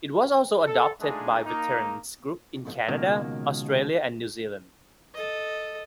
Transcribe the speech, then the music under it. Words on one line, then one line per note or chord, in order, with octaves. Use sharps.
It was also adopted by veterans' groups in Canada, Australia and New Zealand.
A4
G#3 A3 D4 D#4 F4 G#4
A#3 D#4 A#5
C#2 B2 D#3 A#3
A4 D#5